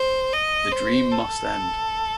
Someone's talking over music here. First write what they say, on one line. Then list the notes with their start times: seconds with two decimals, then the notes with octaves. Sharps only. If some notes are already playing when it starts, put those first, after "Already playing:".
The dream must end.
Already playing: C5
0.33 D#5
0.72 C5
1.12 A4